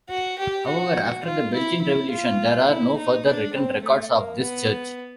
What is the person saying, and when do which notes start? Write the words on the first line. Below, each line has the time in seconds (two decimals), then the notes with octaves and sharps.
However after the Belgian revolution, there are no further written records of this church.
0.10 F#4
0.39 G4
0.66 F#4
1.25 F4
1.53 E4
1.81 E4
2.10 F4
2.68 E4
2.96 D#4
3.26 D4
3.54 C4
3.82 A3
4.11 A#3
4.39 B3